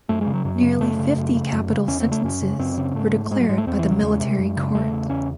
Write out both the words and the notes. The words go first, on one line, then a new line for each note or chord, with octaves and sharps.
Nearly fifty capital sentences were declared by the military court.
F#2 A3
G#3
C#3
F#3
F#2 F#3
C#3
F#2 A3
C#3
F#2
C#3
F#2
C#3
E2 C#4
C4
C#3
A3
F#2 C#4
C#3
F#2 C4
C#3
G#2 A3
G#2
G#2 G#3
F#3
G#2 G#3
A3
E2 C4
E3
C#3
F#3
E2 G#3
C3
F#2
C#3
E2 A3
C#3
E2 C#4